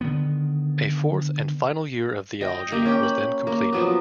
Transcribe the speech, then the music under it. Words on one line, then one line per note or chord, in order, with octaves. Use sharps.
A fourth and final year of theology was then completed.
D3 D#3 B3
D#5 G5
A#3 G4
C#4 G5
B5
A#3
F3 F#3 B3